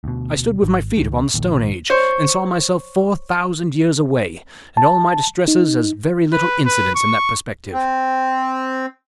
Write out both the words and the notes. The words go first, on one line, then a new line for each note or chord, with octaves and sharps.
I stood with my feet upon the Stone Age and saw myself four thousand years away, and all my distresses as very little incidents in that perspective.
D2 B2
G#1
C#2 D#3
D#1 A#1 D#2
C5 C#5
A5
D#4
B4
B4
C#6
C4